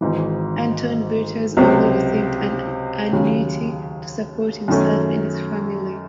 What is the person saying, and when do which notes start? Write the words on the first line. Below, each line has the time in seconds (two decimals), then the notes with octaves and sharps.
Anton Beatus only received an annuity to support himself and his family.
0.01 G#1 G#2 E3
1.57 C#2 C3 F#3 C4
3.13 D#2 C#3 F#3
4.68 F#2 D#3 A3 C#4